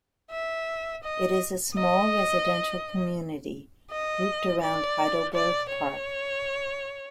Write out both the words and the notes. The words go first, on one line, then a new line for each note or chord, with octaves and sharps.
It is a small residential community, grouped around Heidelberg Park.
E5
D#5
D#5
D#5
D5
D5
C#5